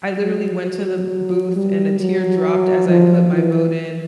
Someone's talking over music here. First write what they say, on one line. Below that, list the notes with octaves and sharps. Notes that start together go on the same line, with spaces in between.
I literally went to the booth and a tear dropped as I put my vote in,
F#3
G3
F#3
F3
E3